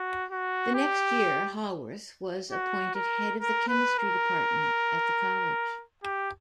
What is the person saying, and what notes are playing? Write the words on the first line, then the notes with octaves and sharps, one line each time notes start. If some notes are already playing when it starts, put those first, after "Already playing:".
The next year Haworth was appointed Head of the Chemistry Department at the college.
Already playing: F#4
F#4
G4
F#4
A#4
A#4
B4
A#4
G4